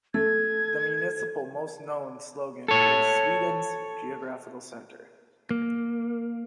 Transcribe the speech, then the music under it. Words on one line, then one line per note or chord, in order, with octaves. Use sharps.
The municipal most known slogan is "Sweden's geographical center".
A3 A4 G#6
A4 C#5
A#3